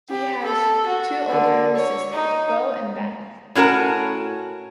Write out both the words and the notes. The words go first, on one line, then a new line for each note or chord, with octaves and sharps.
He has two older sisters, Bo and Beth.
G4
A4
F#4
D3
C#5
D#4
A2 C#4 F#4 A#4 A5